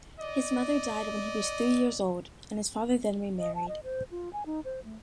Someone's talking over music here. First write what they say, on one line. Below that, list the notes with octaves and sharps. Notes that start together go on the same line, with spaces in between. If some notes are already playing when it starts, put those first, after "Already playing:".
His mother died when he was three-years-old, and his father then remarried.
D5 D#5
D#5
A5
D#5
C5
F4
G#5
D#4
C5
A3